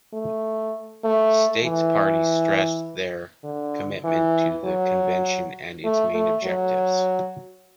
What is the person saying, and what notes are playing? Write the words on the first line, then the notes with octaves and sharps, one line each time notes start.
States parties stressed their commitment to the Convention and its main objectives.
A3
A3
E3
D3
E3
F#3
A3
A3
F#3